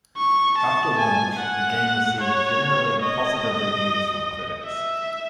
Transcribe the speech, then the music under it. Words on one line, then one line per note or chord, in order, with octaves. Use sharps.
After launch, the game received generally positive reviews from critics.
C#6
A5
G#5
F#5
C#5
D#5
E5